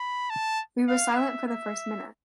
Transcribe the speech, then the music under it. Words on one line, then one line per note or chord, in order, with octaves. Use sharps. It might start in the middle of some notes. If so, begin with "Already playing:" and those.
We were silent for the first minute.
Already playing: B5
A5
F5
E5
E5